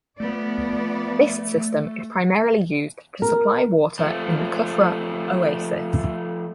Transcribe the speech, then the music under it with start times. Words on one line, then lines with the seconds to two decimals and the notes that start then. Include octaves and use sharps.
This system is primarily used to supply water in the Kufra oasis.
0.20 F3 A3 B3 D5
3.22 A#4
3.99 F3 A3